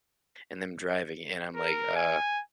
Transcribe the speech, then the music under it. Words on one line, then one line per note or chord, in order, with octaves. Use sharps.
and them driving, and I'm like, "Uh,"
A#4
G#5